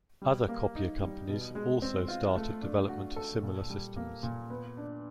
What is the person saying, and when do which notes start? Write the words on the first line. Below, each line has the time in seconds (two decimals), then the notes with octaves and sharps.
Other copier companies also started development of similar systems.
0.22 G3
0.48 A#3
0.75 D#4
1.01 G3
1.28 B2
1.55 G#3
1.82 C4
2.08 F4
2.36 A3
2.62 D4
2.89 F#4
3.16 A4
3.43 A#2
3.70 G3
3.96 A#3
4.23 A#2
4.50 B3
4.77 D4